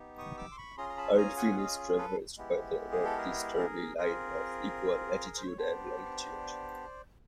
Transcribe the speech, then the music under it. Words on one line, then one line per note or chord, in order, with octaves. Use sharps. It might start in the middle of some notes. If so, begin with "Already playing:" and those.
Artvin is traversed by the northeasterly line of equal latitude and longitude.
Already playing: B3 D#4 G4
C#6 D#6
D6 E6
C6
B5 C#6
C#4 F4 G#4 A#5 C6
A#5
A5 B5
G#5 A#5
F#5 G#5
F#5
D#5 F5
A4 B4
G#3 B3 E4 G4
G#4
A4
G#4 A#4
G#4 A#4
C4 F4 G#4 A#4
C5
C#5
B3 D4 G4 C5 D5